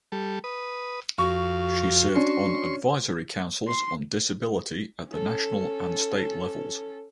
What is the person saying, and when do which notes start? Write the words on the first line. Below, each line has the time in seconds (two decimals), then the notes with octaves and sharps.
She served on advisory councils on disability at the national and state levels.
0.12 G3 A4
0.44 B4 D#6
1.18 F2 F#4 F5 C#6
2.15 C#4 D4 C6 C#6
3.68 C6
5.09 C#4 A4